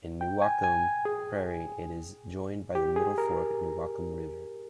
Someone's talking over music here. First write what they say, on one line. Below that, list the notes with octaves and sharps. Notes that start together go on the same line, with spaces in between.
In Newaukum Prairie it is joined by the Middle Fork Newaukum River.
G5
G#5
G#5
G#4
G4
G#4
A#4